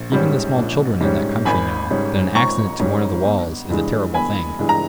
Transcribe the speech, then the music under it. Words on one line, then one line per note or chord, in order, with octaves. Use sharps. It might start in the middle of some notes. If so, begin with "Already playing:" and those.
Even the small children in that country know that an accident to one of the walls is a terrible thing.
Already playing: A#1
G#2 G3 C#4
A#1
G#2 G3 C#4
G#1 G#5 B5
G#2 G3 C#4
G#1 A#5 C#6
G#2 G3 C#4
G1
G2 E3 G#3
G1 G#5 B5
G2 E3 G#3
A#5